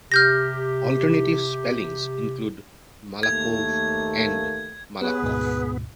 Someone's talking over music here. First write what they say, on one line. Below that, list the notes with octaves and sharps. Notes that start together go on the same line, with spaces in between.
Alternative spellings include Malakov and Malakoff.
C3 G4 F6 G6 A#6
D#2 A3 A#3 G#6
B3 G4 G#4 B4 C#5
D2 G#2 B2